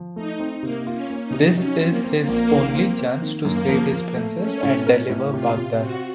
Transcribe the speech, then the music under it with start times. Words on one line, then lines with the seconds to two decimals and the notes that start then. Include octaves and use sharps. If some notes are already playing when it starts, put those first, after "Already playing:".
This is his only chance to save his princess and deliver Baghdad.
Already playing: F3
0.16 A3 D#4
0.40 C4
0.63 C3 A#3
0.87 F4
0.95 C#4
1.10 A#3
1.25 D#4
1.33 C3
1.57 F#3 C#4
1.81 C4
1.88 A#3
2.04 C4
2.20 A#3
2.28 A#1
2.51 D#3
2.75 C4
2.99 C4
3.22 D#3
3.45 F#2 A#3
3.69 F3
3.92 F3
4.16 A3
4.39 A3 C#4
4.63 A2
4.87 A#4
5.10 A2
5.33 C3 F4
5.57 C3
5.80 C4 F#4